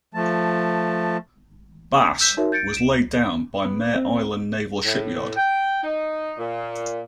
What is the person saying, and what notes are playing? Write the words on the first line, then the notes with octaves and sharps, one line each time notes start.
"Bass" was laid down by Mare Island Naval Shipyard.
F3 A3 A5
E6 G6 B6 E7
D#4 F#4 A#4 C#5 E5
G6 A6 C#7 D7
D7 E7
B3
C4
A2
G5
D#4
A#2